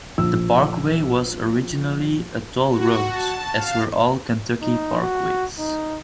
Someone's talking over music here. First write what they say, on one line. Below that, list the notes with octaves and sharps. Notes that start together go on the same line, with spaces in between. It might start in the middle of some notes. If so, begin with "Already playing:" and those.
The parkway was originally a toll road, as were all Kentucky parkways.
A#1 E6
F#4
A5
F5
D#4
F#4
D#4